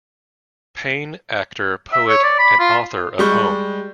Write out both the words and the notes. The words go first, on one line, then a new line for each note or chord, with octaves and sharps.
Payne, actor, poet, and author of Home!
E5
C#5
D5
B5
F4
G3 G#3 C#6 G6